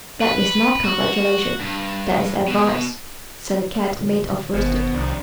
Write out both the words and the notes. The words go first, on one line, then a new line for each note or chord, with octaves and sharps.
"That is not congratulation; that is advice," said the Cat-made-of-worsted.
B4
F#4
G2
B2
A#2 D3 F#3
G1 B2 D#3 C5
C2 F2 D4